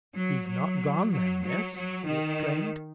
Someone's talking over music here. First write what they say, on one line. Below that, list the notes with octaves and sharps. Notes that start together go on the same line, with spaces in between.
"You've not gone, then, miss?" he exclaimed.
F#3
F#3
F#3
F#3
F#3
D#3